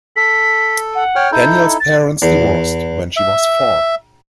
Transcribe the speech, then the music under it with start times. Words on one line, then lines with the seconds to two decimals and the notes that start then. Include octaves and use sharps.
Daniels' parents divorced when she was four.
0.16 A4 B6
0.95 F#5
1.15 C#5 G5 F6
1.32 D#4 E4 A4 G6
1.80 A6
2.22 E2
3.16 E5